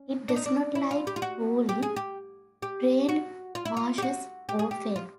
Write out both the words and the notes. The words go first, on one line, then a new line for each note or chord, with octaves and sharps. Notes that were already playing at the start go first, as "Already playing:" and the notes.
It does not like poorly drained marshes or fen.
Already playing: C#4
D4
D#4
D4
E4
F4
G4
F4
F#4
G4
G#4
G4
G4
F#4
F4
E4
F4
G4
F#4
G4
G#4
G4
F4